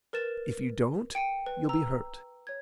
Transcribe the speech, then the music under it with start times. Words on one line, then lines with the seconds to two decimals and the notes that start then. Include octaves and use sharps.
If you don't you'll be hurt.
0.13 A#4 B4 A6 E7
1.15 G5 C#7 D#7
1.46 B4
1.69 A#5 E6
2.47 C#5 G#6